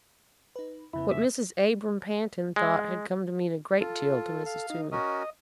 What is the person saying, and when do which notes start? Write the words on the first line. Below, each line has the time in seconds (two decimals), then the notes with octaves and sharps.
What Mrs. Abram Pantin thought had come to mean a great deal to Mrs. Toomey.
0.56 D#4 B4
0.93 F2 C#3 B3 E4
1.11 E5
2.56 G#3
3.80 F4 A4
4.46 F5
4.70 D#4
4.92 C#4 F#4 A#4 D#5